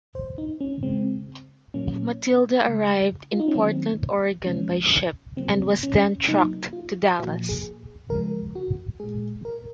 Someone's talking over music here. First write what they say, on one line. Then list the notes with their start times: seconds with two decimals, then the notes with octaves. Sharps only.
Matilda arrived in Portland, Oregon, by ship and was then trucked to Dallas.
0.15 C5
0.38 D#4
0.61 C#4
0.83 C#3 G#3 C4
1.74 A#2 F#3 A#3 C#4
2.65 C#3 G#3
3.32 F4
3.40 D#4
3.48 C#4
3.55 D#3 F#3 A#3 C4
4.46 C3 F3 G#3 C#4
5.37 C#3 F#3 A#3 C4
5.83 C#4
6.27 C3 F#3 A#3 D#4
6.73 F4
7.19 A#2 F3 A#3 F#4
7.49 G#4
8.09 C#3 F3 G#3 A#4
8.55 F#4
9.00 A#2 G#3 G#4
9.45 A#4